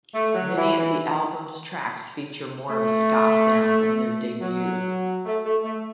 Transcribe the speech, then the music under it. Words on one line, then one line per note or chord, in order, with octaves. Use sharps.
Many of the album's tracks feature more of a ska sound than their debut.
A3
F#3
E3
E3
A3
F#3
A3
A3
A3